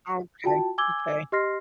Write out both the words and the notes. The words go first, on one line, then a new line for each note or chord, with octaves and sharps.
Okay, okay.
F4 F#4 G5 A5
G#5 D6 E6 G#6 G7
G4 D#5 C6 F6 A#6 C7